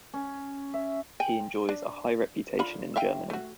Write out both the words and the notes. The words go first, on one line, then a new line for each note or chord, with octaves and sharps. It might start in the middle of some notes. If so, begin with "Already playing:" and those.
He enjoys a high reputation in Germany.
C#4
E5
G5 G#5
D4
D3 F4 B5
E5 F5 G5
A3 F#4